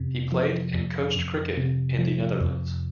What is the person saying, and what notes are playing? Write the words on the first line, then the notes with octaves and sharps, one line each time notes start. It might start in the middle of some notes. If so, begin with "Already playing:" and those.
He played and coached cricket in the Netherlands.
Already playing: F2 C3
F3
F2
F2
C3
F3
F2